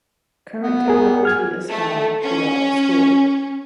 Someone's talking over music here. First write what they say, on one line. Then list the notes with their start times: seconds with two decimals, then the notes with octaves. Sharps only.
Current technology is found throughout the school.
0.62 B3
0.88 G#4 A#4
1.23 G#4 F6 G#6
1.70 A3
2.23 C#4